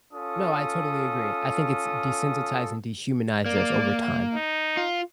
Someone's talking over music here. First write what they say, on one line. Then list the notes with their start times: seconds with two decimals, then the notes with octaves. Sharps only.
No, I totally agree, I think it's desensitized and dehumanized us over time.
0.14 C#4 F4 A4 D#6
3.46 A#3 D5
4.34 D#4
4.77 F4